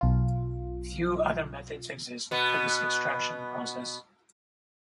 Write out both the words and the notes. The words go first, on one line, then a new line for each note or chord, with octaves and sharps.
Few other methods exist for this extraction process.
B1 F4
B2 B3